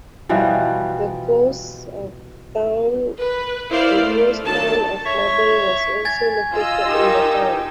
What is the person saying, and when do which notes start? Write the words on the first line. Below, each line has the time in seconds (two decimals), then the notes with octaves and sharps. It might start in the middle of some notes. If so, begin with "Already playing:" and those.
The ghost town of Marble was also located in the town.
0.29 B2 E3 F3 G3
3.19 B4
3.70 E4 A#4 C5 D5 F5
4.02 A3
4.43 D#3 F#3 D4 D#4 A4 A5
5.05 C#5 E5 C#6
6.05 G#5 G#6 A6
6.53 F4 D#5 E6
6.87 D#4 G4 A#4